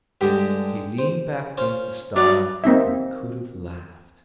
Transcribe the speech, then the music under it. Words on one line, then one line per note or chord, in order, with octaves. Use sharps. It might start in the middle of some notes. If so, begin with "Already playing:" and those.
He leaned back against the stile and could have laughed.
G2 D3 G#3 G4
C5
C#4 F4 C5
F#3 C#4 D#4 D5
A#3 C4 D#4 E5